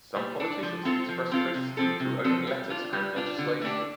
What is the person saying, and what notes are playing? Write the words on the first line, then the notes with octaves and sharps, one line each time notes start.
Some politicians have expressed criticism through open letters and legislation.
G3
D4 A4
F3
C4 F4 A4
F3
C4 F4 A4
C3
F3 C4 A4
C3
F3 C4 A4
G3
D4 F4
G3
D4 F4
D3
A3 D4 G4